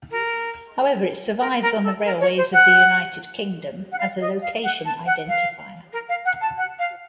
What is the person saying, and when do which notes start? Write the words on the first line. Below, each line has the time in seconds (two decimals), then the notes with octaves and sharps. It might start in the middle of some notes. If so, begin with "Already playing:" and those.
However it survives on the railways of the United Kingdom as a location identifier.
0.10 A#4
1.39 A#4
1.61 A#4
1.82 A4
2.04 A#4
2.20 C#5
2.36 C5
2.53 F#5
3.92 F#5
3.98 F5
4.20 D#5
4.41 F5
4.63 F#5
4.85 A5
5.06 F#5
5.28 F5
5.92 A#4
6.08 F5
6.25 F#5
6.41 A5
6.57 F#5
6.78 F5